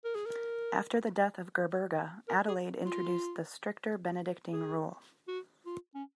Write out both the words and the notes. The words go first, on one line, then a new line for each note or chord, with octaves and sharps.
After the death of Gerberga, Adelaide introduced the stricter Benedictine rule.
A#4
G#4
A#4
A#4
G#4
F4
G#4
F#4
F4
C#4